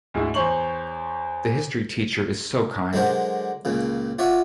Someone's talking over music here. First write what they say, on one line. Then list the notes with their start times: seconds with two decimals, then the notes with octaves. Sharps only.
The history teacher is so kind.
0.14 D2 G#2 G#3 E4
0.34 E2 C5 C#5 C6 C#6 F#7
2.93 D3 F#3 G#3 D4 A#4 C5
3.65 C#2 A#2 C#3
4.19 F4 C#5 D5 E5 F#5